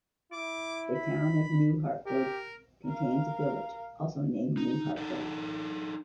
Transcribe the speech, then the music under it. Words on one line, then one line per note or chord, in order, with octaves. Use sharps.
The Town of New Hartford contains a village, also named New Hartford.
E4 D6
B5
G4 A#4
A#4 F5
D#4
D4 D#4 A4